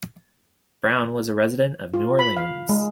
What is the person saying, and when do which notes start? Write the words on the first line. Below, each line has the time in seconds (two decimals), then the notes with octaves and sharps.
Brown was a resident of New Orleans.
1.94 F4
2.19 B5
2.37 F5
2.69 G#3